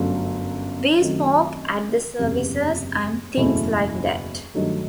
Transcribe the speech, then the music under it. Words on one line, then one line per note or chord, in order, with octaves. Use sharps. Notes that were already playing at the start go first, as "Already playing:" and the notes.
We spoke at the services and things like that.
Already playing: G1 F#2 F#3 A3
F#2 D#3 F#3 A3 C4
F#1 E2 C3
F#1 E2 B2 A3 E4
G2 D#3 F#3 A3